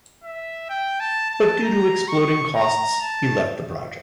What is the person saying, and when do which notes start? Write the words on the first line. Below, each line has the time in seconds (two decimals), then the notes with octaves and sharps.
But due to exploding costs, he left the project.
0.24 E5
0.69 G5
1.00 A5
1.31 A5
1.63 A#5
2.08 C#6
2.56 A#5
3.01 A5